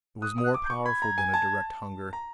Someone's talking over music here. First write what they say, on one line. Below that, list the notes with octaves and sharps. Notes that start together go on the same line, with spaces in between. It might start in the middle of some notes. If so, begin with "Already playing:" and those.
It was more powerful than a direct hunger.
D#6 F#6
D#6
F#6
D6
G6
C#6
B5 G#6
A#5
G#5
A5
A#5